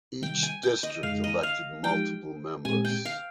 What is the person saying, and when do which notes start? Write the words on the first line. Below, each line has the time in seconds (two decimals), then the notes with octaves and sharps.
Each district elected multiple members.
0.22 C3 D#3 G3 G5
0.43 G#5
0.63 G5
0.83 D#5
1.03 F2 C#3 G#3 D#4 G#4 F5
1.24 D#5
1.43 F5
1.84 F3 G#3 D#4 G4 G5
2.64 A#2 G#3 C4 G4 G#5
2.85 G5
3.05 F5